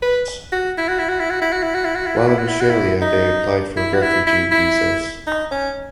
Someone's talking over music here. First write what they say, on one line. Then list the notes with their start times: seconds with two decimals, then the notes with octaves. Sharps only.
Whilst in Australia they applied for refugee visas.
0.02 B4
0.53 F#4
0.78 E4
0.89 F#4
0.99 E4
1.09 F#4
1.20 E4
1.31 F#4
1.42 E4
1.52 F#4
1.63 E4
1.75 F#4
1.85 E4
1.96 F#4
2.07 E4
2.17 F#4
2.28 E4
2.39 F#4
2.49 E4
2.61 F#4
2.70 E4
3.02 D#4
3.77 E4
3.94 F#4
4.02 E4
4.27 E4
4.52 E4
5.27 D#4
5.52 C#4